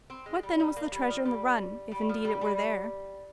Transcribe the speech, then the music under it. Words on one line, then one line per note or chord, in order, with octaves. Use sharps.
What, then, was the treasure in the run, if indeed it were there?
C4
G#3
G3
G3
A#3
G3
F3
G3
G3
F3
G3
G3